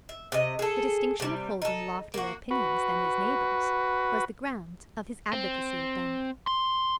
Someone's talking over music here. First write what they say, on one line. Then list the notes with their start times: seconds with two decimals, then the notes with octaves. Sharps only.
The distinction of holding loftier opinions than his neighbors was the ground of his advocacy of them.
0.09 E5
0.32 C3 D#5
0.59 G#4 A4
1.20 C3 G3
1.62 D#4 A4
2.14 A#3 F#4
2.51 F#4 B4
5.33 C4
6.47 C6